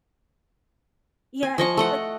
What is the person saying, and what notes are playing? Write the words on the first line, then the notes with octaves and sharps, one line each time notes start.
Yeah, I think, like,
G#5
F3 D#5 C#6
A3 D#5 F#5